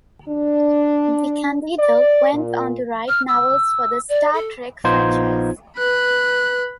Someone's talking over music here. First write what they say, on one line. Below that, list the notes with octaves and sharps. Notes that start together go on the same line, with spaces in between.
DeCandido went on to write novels for the "Star Trek" franchise.
D4
D5
A#2
F6
E6
D5
A4
A#1 B3 D#4 F4 C5 G#6
B4 B5 F#6